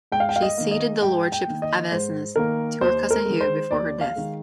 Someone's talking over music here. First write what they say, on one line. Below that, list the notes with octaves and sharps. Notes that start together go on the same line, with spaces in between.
She ceded the lordship of Avesnes to her cousin Hugh before her death.
G#2 G5
F5
G5
F5
D#5
D#3 A#3
D#5
G#2 G5
G5
D#3 A#3
D#5
G#2 C5
D#3 A#3 A#4
D#2 C5
A#4
D#3 G#3
C5
D#2 D5
F5
D#3 G#3